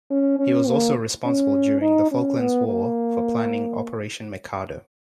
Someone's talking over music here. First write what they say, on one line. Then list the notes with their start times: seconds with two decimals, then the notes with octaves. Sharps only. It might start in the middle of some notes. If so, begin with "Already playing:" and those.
He was also responsible during the Falklands War for planning Operation Mikado.
0.11 C#4
0.39 C#4
0.68 A#3
1.26 C#4
1.82 D#4
2.11 C#4
2.39 B3
2.67 A#3